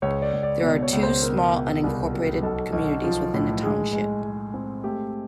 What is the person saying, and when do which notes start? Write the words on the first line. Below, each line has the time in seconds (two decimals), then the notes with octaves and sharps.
There are two small unincorporated communities within the township.
0.02 C#2 C#5
0.22 D5
0.33 C#2
0.43 D5
0.62 B2
0.83 C#5
0.92 C#2
1.03 C5
1.22 B2 A#4
1.53 B2
1.84 C2
2.14 F#3
2.43 B1 A4
2.73 B1
3.04 F3
3.34 A2
3.63 G#3 G#4
3.93 G#3
4.24 G#3
4.54 C4
4.84 A3 G4